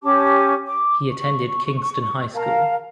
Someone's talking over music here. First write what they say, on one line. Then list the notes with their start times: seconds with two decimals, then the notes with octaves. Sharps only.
He attended Kingston High School.
0.03 C#4 G4 A5 D6
0.67 D6
1.10 C#6
2.35 A#4 F5 A5 A#5